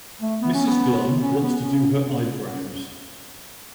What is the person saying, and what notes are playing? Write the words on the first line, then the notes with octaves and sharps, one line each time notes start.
Mrs Glum wants to do her eyebrows.
A3
B3
C#4
B3
C#4
B3
C#4